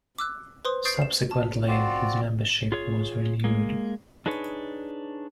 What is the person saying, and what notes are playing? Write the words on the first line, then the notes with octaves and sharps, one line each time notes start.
Subsequently, his membership was renewed.
D6 E6 F#6
B4 C5 C6 D#6
C#6 D#6 G6 A6 C7 D7
C7 E7
A5
C4 F4 F#4 D5
F4 G#4 C#5
G#3 A#3
D4 D#4 G#4 B4 C#5